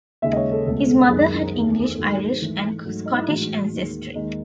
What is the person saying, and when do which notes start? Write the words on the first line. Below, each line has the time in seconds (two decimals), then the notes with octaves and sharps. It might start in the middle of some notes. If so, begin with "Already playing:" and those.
His mother had English, Irish, and Scottish ancestry.
0.22 D#2 C#3 G#3 E5
0.32 D#5
0.36 C#5
0.51 A4
0.66 C#2 B2 A3 A4
0.88 A4
1.09 F#2 D#3 G#3 G#4
1.53 E2 D#3 A3
1.96 G#2 D#3 F#3 A3 A4
2.40 G#2 E3 A3
2.85 G#2 F#3 A3
3.06 D#4
3.17 E4
3.28 A2 E3 G#3 F#4
3.71 D#2 D#3 G#3
4.15 D#2 D#3 G#3 D#4